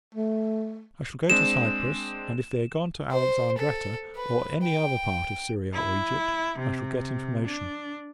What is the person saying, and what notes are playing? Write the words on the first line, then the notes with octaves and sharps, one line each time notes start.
I shall go to Cyprus; and, if they are gone to Alexandretta, or any other part of Syria or Egypt, I shall get information.
A3
G#3 C4 D4 E7
C5
A4
B4
G5
E4
C3
D4